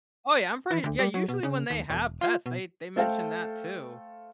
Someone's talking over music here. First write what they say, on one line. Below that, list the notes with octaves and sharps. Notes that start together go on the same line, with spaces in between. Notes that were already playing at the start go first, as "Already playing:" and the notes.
Oh, yeah, I'm pretty yeah, usually when they have pets, they they mentioned that too.
E3
D2
G3
F#3
B2
C#3
D#2
E1
F4
B2
A3 A4 C5 F5 G5